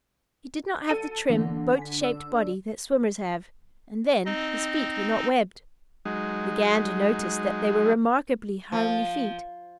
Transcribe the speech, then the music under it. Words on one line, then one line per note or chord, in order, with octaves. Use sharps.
He did not have the trim, boat-shaped body that swimmers have, and then, his feet were not webbed. The Gander noticed that they were remarkably homely feet.
A4 D#7
D3 E3 A#3
G#5 B6
D5 E6
C4 D#4 D#5
F#3 G#3 D#4
F3